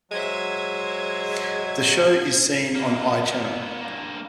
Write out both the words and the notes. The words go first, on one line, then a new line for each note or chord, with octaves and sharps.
The show is seen on iChannel.
F#3 G#3 C5 E5 G#6
A#3 B3
G2 A#3